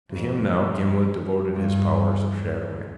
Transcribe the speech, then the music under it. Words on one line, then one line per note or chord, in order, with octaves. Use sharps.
To him, now, Gimblet devoted his powers of shadowing.
F2
G2